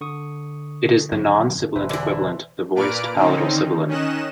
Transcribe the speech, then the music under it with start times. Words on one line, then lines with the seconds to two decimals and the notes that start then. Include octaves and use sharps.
It is the non-sibilant equivalent of the voiced palatal sibilant.
0.01 D3 C#6 D#6
1.12 F#2 A2 D#3
1.76 E1 B4 C5 E5
1.89 D3 E3
2.75 A#2 A#3 B4 D5 F6 D7
3.14 D3 D#3 C4 C#4 D#4
3.88 D#3 C#4 D#5 F#6 E7